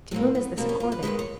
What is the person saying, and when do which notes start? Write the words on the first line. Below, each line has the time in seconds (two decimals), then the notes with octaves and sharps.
To whom is this accorded?
0.11 A2 F#3 A#3 C4
0.35 B3
0.57 B2 G3 A#3 C4
0.69 C#4
0.80 F4
0.92 B4
1.03 G2 D#3 G#3 B4
1.19 C#5